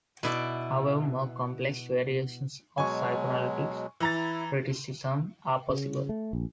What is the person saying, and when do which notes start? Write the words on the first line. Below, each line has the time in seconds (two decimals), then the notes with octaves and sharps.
However, more complex variations of psychoanalytic criticism are possible.
0.23 B2 E4 D5
2.78 B2 F#3 G#3 G#5 C#6
4.00 E3 A#5 A6
4.14 E4
5.69 C#3
6.09 A3
6.33 A#1